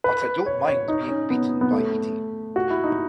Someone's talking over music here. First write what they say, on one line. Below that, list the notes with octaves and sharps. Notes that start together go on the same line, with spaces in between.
But I don’t mind being beaten by Edie.
B4
C#5
C#5
D#4
C#4
B3
B3
A3
F#4
E4
D#4